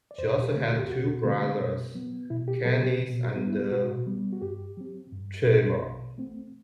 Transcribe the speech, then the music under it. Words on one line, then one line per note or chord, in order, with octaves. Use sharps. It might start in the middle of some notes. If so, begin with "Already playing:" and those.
She also had two brothers, Kenneth and Trevor.
D5
E2 C5
G4
D3 A3 C4
F#4
G4
E2 F#4
D3 A3 C4
B2
F#3 B3
B2 E4
G4
F#3 B3 A4
G4
B2
F#4
G3 B3
E4
B2 F#4
G3 B3
F#4
G2 G4
F#3 C4
G2
F#3 C4
B2
A3 C4